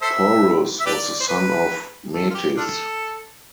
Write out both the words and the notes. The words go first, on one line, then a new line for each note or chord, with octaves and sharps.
Porus was the son of Metis.
A4 C5 E5
E5
G4 B4 D5
C5
B4
A4
F4
G4
D4 F4 A4